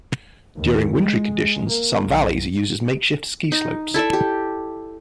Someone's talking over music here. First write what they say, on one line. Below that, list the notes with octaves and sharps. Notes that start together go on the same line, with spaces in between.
During wintry conditions, some valleys are used as makeshift ski slopes.
D#2
G#3
A#3
B1
D#4
E4 A4 D5 E5
G4